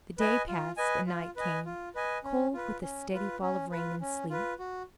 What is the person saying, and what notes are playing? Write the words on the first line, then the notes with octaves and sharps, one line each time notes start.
The day passed and night came, cold with a steady fall of rain and sleet.
B4 D#5 G#5
F4
B4 D#5 G#5
F4
B4 D#5 G#5
F4
B4 D#5 G#5
C#4
F4 B4
C#4
F4 B4
C#4
F4 B4
C#4
F4 B4
F#4